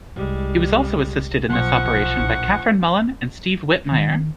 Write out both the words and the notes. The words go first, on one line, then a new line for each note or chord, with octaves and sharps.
He was also assisted in this operation by Kathryn Mullen and Steve Whitmire.
C2 G3 G#3
B1 F3 F#5 C#6
A#1 E4
D#3